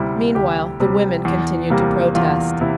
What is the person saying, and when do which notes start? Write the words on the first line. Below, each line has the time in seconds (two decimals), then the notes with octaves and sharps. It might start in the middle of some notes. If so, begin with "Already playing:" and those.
Meanwhile the women continued to protest.
Already playing: D2 C3 G3 E4
0.35 D2 G4
0.80 C3 G3
1.25 E2
1.70 C3 G3 A#3
2.15 E2 F4
2.61 C3 E4